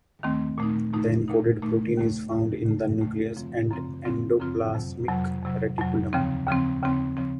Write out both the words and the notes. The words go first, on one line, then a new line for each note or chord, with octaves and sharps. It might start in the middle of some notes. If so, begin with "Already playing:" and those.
The encoded protein is found in the nucleus and endoplasmic reticulum.
D#2 D#3 A3 C4
A#2 A3 D#4
A#2 A3 D#4
A#2 A3 D#4
A#2 A3 D#4
D#2 C#3 A3
D#2 C#3 A3
D#2 C#3 A3
D#2 C#3 A3
F#2 C#3 F3 C4 F4
F#2 C#3 F3 C4 F4
F#2 C#3 F3 C4 F4
F#2 C#3 F3 C4 F4
F2 C3 F#3
F2 C3 F#3
F2 C3 F#3
F2 C3 F#3
D#2 C#3 F3 C4
D#2 C#3 F3 C4
D#2 C#3 F3 C4
C#3 F3 C4